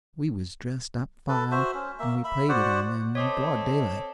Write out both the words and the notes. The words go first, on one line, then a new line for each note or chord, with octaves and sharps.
We was dressed up fine, and we played it on them in broad daylight.
A4 B4
F#4 C5 E5
C#4
A#3 E5
E5 B5
F#4 C5 D5 F#5
C4 A4 C#5 D#5 D6 D#6 B6